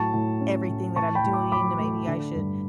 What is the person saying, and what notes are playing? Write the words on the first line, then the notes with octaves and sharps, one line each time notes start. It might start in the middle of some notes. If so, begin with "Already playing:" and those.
everything that I'm doing, then maybe I should
Already playing: A2 F#3 A5 C#6
A2
C#4
A2
A2 A5 C#6
G5 B5
A2
B5 D6
F#3 B5 D6
A3
D3
G2